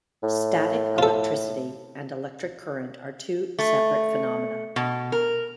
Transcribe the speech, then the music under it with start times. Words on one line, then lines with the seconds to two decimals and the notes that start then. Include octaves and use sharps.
Static electricity and electric current are two separate phenomena.
0.23 A2
0.98 F4 A4
3.59 A3
4.76 B2
5.12 A#4